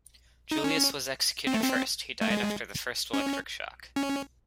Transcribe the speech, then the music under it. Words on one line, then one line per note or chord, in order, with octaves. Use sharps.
Julius was executed first; he died after the first electric shock.
D#4
C#4
C4
A3
C4
A3
G#3
C#4
C#4